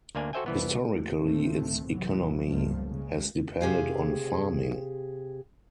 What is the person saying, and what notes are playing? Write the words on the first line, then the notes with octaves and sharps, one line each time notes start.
Historically, its economy has depended on farming.
D2 A#3 D4 G#5
F#4 A4 C5 E5 G5 G#5
C2 E3 B3
D2 A2 D#3 A3 C4
C2 A2 E3 F#3
C#2 G2 F3 G3 A3 A#3
C#3 G#3
C3 G4 G#4 F5